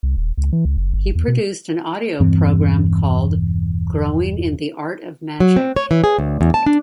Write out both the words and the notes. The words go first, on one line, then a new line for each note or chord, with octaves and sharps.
He produced an audio program called "Growing in the Art of Magic".
C2
D#1
C#2
E3
C#2
F#1
G1
E2
B2
E1 G2 E3 C4
F#3
C4
C#5
E3
G#4
D2
E2
A5
D4